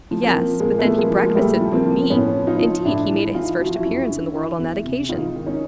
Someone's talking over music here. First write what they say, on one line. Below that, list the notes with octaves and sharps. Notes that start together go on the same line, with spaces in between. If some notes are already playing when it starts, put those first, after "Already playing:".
"Yes; but then he breakfasted with me--indeed, he made his first appearance in the world on that occasion."
F3
A#3 C4
F3
A#2 G#3 A#3
A3 B3
F3
G#3 A#3
F3
G#3 A#3
G#3
A#2 G3 A3
F3
A#3 C4
F3
A2 B3 C#4
F3
D#4 F4
F3
A2 D4 E4
E3
E3 D#4 F4
F3 F#4
F4
E4 F#4
F#2
D3
E3
E2
C3
G#2 D#4 F4
D#3
C#4 D#4